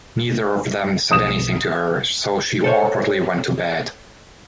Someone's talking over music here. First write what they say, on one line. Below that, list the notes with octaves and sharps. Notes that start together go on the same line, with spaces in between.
Neither of them said anything to her, so she awkwardly went to bed.
B1 F3 D#6 E7
A4 C5 C#5